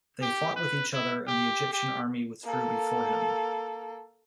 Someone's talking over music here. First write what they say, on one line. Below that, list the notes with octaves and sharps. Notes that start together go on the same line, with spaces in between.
They fought with each other and the Egyptian army withdrew before him.
G4
B4
E4
G4
G4
A#3 A4